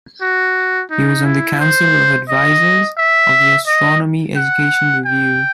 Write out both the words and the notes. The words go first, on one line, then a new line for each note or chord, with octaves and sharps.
He was on the Council of Advisors of the Astronomy Education Review.
F#4
D#4
E4
C5
D#5
E5
D#5
F#5
G5